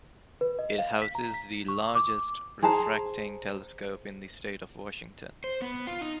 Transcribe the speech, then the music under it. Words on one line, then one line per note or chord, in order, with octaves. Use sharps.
It houses the largest refracting telescope in the state of Washington.
B4
D#5
F5
B6
A#5
B6
C#6
D6
G#4 C5 A5 A#5
C5
B3
F4
D#4